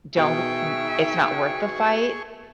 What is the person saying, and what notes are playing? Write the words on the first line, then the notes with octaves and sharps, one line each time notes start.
don't, n it's not worth the fight,
B2 D#4 G#4 E5 G5 C#6